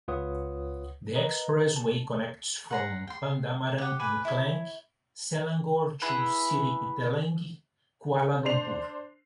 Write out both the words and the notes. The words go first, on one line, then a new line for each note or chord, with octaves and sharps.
The expressway connects from Pandamaran in Klang, Selangor to Sri Petaling, Kuala Lumpur.
C#2 F4 B4 C#5 F#5 D#6
A#4 B4 D#5 A#5
A5
F#5 A#5 C6
G5 C6
G4 F#5 D#6
B4 G#5 D6
E4 C#5
E4 G#4 B4 F#5
D4 C5 C7 F7